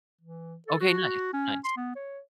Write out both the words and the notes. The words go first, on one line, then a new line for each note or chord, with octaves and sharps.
Okay, nice, nice.
E3
A4
F#4
C#4
C6
B3
C#5